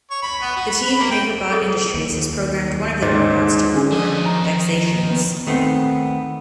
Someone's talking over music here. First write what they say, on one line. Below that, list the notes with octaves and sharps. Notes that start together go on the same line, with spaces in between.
The team at MakerBot Industries has programmed one of their robots to perform "Vexations".
C#5
B5
B3
F#4
B5
B5
A#3
G5
G#4 A4 D#6
D#2
G#2 C#4 D#5
C#5
D3 C#4 G#4
F3 A3 D#5
D#3 A#5
B3
D#3 A3 B3 C4